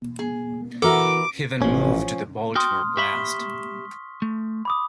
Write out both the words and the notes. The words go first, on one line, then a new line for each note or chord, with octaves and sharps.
He then moved to the Baltimore Blast.
G#4
E3 B3 F#4 A4 A#4 E5 D6
A1 F3 C#4
F#4 G5 C6 D#6 F6
G4 E5 B5 C#6 B6 G7
A3
B5 D6 D#6